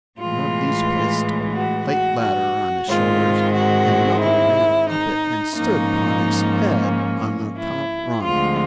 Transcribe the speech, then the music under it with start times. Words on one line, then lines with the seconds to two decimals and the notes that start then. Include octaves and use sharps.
One of these placed a light ladder on his shoulders, and another ran up it and stood upon his head on the top rung.
0.19 A2 E3 G#3 F4
1.53 F#4
1.87 F#4
2.21 F#4
2.88 G#2 D#3 G#3 C4 F4
3.55 F#4
4.22 E4
4.89 D#4
5.56 G#2 F3 A#3 C#4 D#4
7.58 E4
8.25 D2 D3 F3 G#3 C4 F4